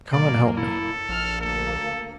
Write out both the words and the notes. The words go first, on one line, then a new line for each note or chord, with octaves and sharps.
"Come and help me."
F#2 B2 A#3 D5
E4 A4
A#1 F6
D2 A#3 A4